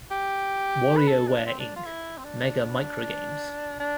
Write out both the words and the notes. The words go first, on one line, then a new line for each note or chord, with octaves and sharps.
WarioWare, Inc.: Mega Microgames!
G4
B4
A4
D4
C4
D4
F4
E4
C4
D4
D4
D4